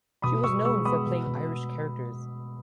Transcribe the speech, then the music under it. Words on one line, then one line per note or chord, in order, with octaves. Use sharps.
She was known for playing Irish characters.
B2 B5 D#6
B2 C#6 E6
G#3 C#6 E6
B3 B5 D#6
B2
B2